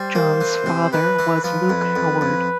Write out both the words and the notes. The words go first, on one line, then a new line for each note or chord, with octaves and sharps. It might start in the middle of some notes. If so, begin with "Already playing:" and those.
John's father was Luke Howard.
Already playing: G3 C5
A#3
E3
C3
E3 B4
E3
F3 B4
F2
F2
F2